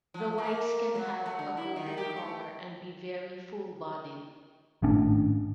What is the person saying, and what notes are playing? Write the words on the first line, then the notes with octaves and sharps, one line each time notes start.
The whites can have a golden color and be very full bodied.
F3
A#3
F#3
A3
D3
E4
D#3
G4
A3
G#1 A2 C#4 D4